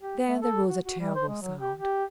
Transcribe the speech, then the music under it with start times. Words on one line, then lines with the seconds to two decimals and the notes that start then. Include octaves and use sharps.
Then there rose a terrible sound.
0.01 G4
0.28 A3
0.42 A4
0.70 F#4
0.84 F#4
1.00 G3
1.15 C5
1.28 G#3
1.42 F#3
1.61 G4
1.78 G4